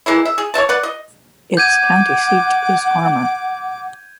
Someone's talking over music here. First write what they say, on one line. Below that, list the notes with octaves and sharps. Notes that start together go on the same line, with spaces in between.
Its county seat is Armour.
E3 G#3 A#3 E4
E5
G#4
C#5 D5 E5 A5
B4 D5 F#5
D#5
F#5 D6 G6 G#6 D#7